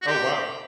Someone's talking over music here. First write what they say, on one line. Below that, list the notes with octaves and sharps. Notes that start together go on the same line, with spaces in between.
Oh, wow.
F#4
G4